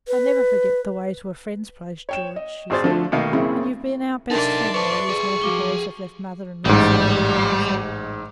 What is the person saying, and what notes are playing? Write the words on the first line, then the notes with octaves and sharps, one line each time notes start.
'I never forget the way to a friend's place, George,' she said, 'and you've been our best friend while these naughty boys have left mother and me so long by ourselves.
B4
C#5 G5 E7
D#5
G#1 F#4 G#4 C5 D5 A6
D3 F3 A3
B2 D#3 A3 A#3
F#2 C#3 A#3 C4 E4 G#4
D4 D#4 A4 A#4 D5 E5 A5 C6
A4 B4 C5 A5 C#6
G#4 A4
F3 F#4 D6 G7
A1 G#2 G3